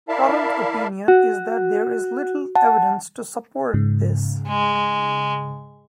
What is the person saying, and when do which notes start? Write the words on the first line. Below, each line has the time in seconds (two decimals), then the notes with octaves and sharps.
Current opinion is that there is little evidence to support this.
0.09 E4 A#4 D5 E5 F5 A5
1.08 F#4
2.56 F#5 A5
3.74 G#2 C#3
4.48 G#3